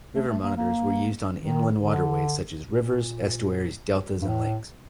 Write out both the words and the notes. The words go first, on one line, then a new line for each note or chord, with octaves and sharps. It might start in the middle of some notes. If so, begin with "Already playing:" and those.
River monitors were used on inland waterways such as rivers, estuaries, deltas and lakes.
A3
A3
A#3
A#3
D#3
D3
A#2
G2
A2